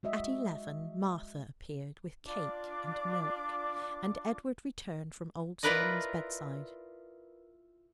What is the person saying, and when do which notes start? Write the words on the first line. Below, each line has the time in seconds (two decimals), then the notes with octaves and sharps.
At eleven Martha appeared with cake and milk, and Edward returned from old Solomon's bedside.
0.03 G#3 F#4 D#5 E5
2.25 D4 F4 D5 D6
5.63 E4 F4 A#4 B4 D5 D#5